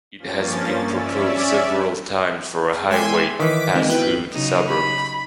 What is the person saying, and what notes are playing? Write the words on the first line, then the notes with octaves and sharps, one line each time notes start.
It has been proposed several times for a highway to pass through the suburb.
G2 F3 A#3 C#4 A6
C#4 D5 E5
G#3 E5 G5 G#5 C6 D6
D#3 E3 C#5 D6 B6
D3 G#3 C4 D#4
B3 E4 F#4 B4 G5
C#3 F#3 D#4
B5